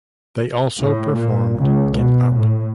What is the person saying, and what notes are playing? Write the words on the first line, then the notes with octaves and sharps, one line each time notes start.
They also performed Get Up!
A2
A#2
C#2
B2
A2